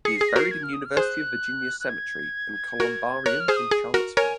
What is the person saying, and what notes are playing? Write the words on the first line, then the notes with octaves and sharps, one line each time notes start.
He is buried in University of Virginia Cemetery and Columbarium in Charlottesville.
G#4 C#7
G#4 C7
A#6
F#4 A#4 C7
G#6
F6
D#6
F6
G#4 C5 F#6
F#6
G#6
F#4 A#4
A#4 C#5 F#6
F6
G#4 C5
D#6
G#4
F#4 A#4
A#4 C#5 G#5